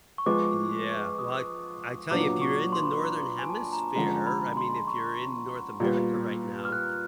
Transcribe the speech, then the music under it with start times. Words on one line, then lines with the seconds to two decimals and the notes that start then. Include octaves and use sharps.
Yeah, like, I tell you, if you're in the Northern Hemisphere, I mean, if you're in North America right now,
0.18 C#6
0.26 F3 G#3 B3 D6
0.91 C#6
1.05 D6
1.19 D#6
2.11 A#2 F#3 B3 D4 F#4 D6
2.42 C#6
2.73 C6
2.82 B5
2.93 C6
2.98 B5
3.03 A#5
3.39 G#5
3.50 A5
3.73 A#5
3.95 D3 F3 G#3 C#4 A#5
4.27 B5
4.57 C6
4.88 C#6
5.80 A#2 G3 B3
6.65 F6
6.72 F#6